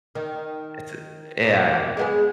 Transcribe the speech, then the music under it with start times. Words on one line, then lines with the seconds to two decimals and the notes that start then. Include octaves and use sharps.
It's a yeah, yeah.
0.15 D#3
1.44 A#2
1.97 G#3 B3 G#4